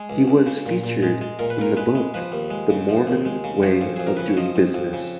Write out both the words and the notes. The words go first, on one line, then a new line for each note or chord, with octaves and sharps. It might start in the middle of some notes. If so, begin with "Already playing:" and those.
He was featured in the book The Mormon Way of Doing Business.
Already playing: G#3 G#4
C#2
C#2
C#3
A#2
A#2
G#3
G#3
A#2 A#4
B4
A#2 A#4
G#3 B4
G#3
F3 B4
D#2
G#3
C#3
F3
D#2
G#3
C#3
F3 C#5
F2
F2 G#4
A#4
C#3 B4
C#5
F3 D#5
F2
F2
C#3